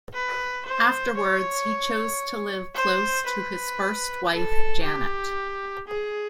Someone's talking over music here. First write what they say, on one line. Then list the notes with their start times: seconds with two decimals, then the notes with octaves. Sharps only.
Afterwards he chose to live close to his first wife Janet.
0.14 B4
0.66 C5
1.17 C#5
2.74 C5
3.26 B4
4.31 A4
4.83 G4
5.87 G#4